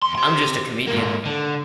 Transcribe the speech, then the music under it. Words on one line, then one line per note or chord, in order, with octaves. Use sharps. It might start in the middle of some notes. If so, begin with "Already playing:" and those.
I'm just a comedian.
E2 C6
G4 C6
G#2 A#3
D3